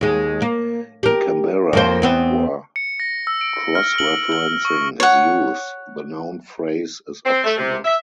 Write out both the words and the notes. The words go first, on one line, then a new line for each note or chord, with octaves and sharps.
In Kambera, where cross-referencing is used, the noun phrase is optional.
D#2 G#3
A#3
G4 A#4
F2 A#3 C5
E2 B3 C4
C#7
A#6
E6
D7
F6
F#7
F#7
C#6
C#5 F#5
C4
A3
C3
E5